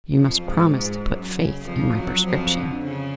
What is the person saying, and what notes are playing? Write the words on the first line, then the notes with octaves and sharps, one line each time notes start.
"You must promise to put faith in my prescription."
F2 F3
G#2
G#2
F#2
C#3
F2 F3
F#2 F#3
F2 F3
D3
C#3